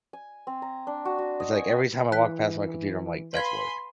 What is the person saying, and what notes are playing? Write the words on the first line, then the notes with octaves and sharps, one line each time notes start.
it's, like, every time I walk past my computer, I'm like, "That's work."
G#5
C4
A#5
D4
F#4
F#4
D#5
G#5
C4
E3 F#6 B6
B4 F5 G#5 B5 C6 G#6